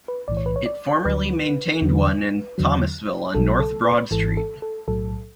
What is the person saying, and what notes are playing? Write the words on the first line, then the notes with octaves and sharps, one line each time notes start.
It formerly maintained one in Thomasville on North Broad Street.
B4
B1 A2 E3 D5
C#5
B4
C#5
D5
D2 D3 F#3 B4
E2 D3 F#3
E2 D3 F#3
B1 B2 F#3 A4
A4
B4
G#1 G#2 E3 A4
A4
A4
B1 A2 F#3 A4